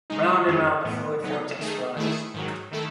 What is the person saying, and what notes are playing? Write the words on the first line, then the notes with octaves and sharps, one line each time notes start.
Round and round the fluid vortex flies.
C#3 G#3 D#4
F#2 D#3 G#3 C#4
A2 E3 B3
C#3 F#3 B3 D#4
D#3 A3 D#4 G#4
D#3 A3 E4 G#4
G#2 D#3 F#3
D#3 A3 E4 A4